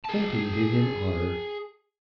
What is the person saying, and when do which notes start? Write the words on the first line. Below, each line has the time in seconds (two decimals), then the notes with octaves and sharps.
Canton did him honor.
0.04 G#4 A5